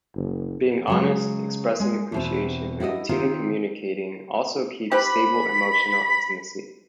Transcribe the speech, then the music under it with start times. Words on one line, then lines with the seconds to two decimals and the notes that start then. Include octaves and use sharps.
Being honest, expressing appreciation, and routinely communicating also keeps stable emotional intimacy.
0.16 F#1
0.87 C#3 F#3 G#3
1.80 G#3 G#5
2.12 E2 B2 C4
2.80 E4 F#4 D5 D#5
3.09 D#3 C4 F4
4.92 C4 G4 B4 B5